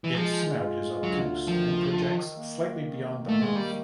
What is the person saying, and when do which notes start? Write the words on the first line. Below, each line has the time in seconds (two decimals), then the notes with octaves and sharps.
Its snout is obtuse and projects slightly beyond the mouth.
0.04 E3
0.14 F3 G#3
0.58 F4
1.03 D2 F#3
1.47 D#3 F3
1.92 D#3
2.37 A#3
2.81 D#3
3.25 A3 A#3
3.42 G#3
3.56 G3